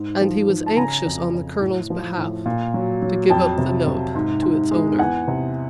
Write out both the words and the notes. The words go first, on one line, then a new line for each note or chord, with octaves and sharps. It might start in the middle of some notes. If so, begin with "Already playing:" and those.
And he was anxious, on the Colonel's behalf, to give up the note to its owner.
Already playing: G#2
F3
F3
A5
C#3 G#5 A#5
F2
F2
A2
F3
A2
A#2
F#3
F#3
F2 G5 A5
C3
C3
G#2
G#2
G#3
E2 F#5 G#5
C3